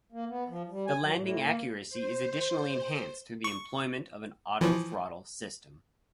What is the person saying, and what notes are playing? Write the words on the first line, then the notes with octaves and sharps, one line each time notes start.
The landing accuracy is additionally enhanced through the employment of an autothrottle system.
A#3
B3
F3
G3
G#5
F#3
A2
A#3
C5
C#6
E3 F3